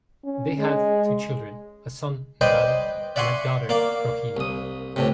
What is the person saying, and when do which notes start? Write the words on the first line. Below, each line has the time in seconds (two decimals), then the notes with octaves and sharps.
They had two children, a son, Narada, and daughter, Rohini.
0.24 C#4
0.59 G#3
2.41 B4 C5 D5 D#5 G5 G#5
3.16 D5 E5 F#5 G#5 C6 C#6
3.69 A#3 D5 F5
4.37 C2 D#6
4.96 C#2 A2 C3